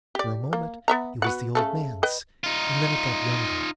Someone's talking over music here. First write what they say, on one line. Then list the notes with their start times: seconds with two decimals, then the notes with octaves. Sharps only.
'For a moment it was the old man's, and then it got younger.
0.15 G4 D5
0.53 A#3
0.88 B3 E5 A#5
1.22 B3 F#4 F#5
1.55 C#3 A3 A4
2.03 B4 D#5 G5
2.44 D#4 F4